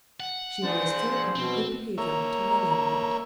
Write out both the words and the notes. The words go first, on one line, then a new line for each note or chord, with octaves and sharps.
She was still on her good behavior to her landlord.
F#5
D4 G#4 C5
B2 C4
A#3 C#5 E5 A#5